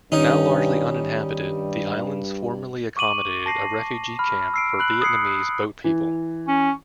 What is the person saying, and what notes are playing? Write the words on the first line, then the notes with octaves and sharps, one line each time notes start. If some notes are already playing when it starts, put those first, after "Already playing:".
Now largely uninhabited, the islands formerly accommodated a refugee camp for Vietnamese boat people.
G2 D#3 G3 C#4 D#4
G2
C#6 D6 D#7 F#7
A5 A#6 C7
B5 F6
E6 C7 D7
B5 F#6 F#7
D#6 G#6 C7 C#7
E3
C#4